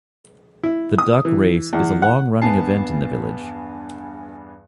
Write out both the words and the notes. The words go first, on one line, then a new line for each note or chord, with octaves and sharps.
The Duck Race is a long-running event in the village.
E4
D#6
E3
E2
F#5
E2 G2 B3 G#5 A5 C7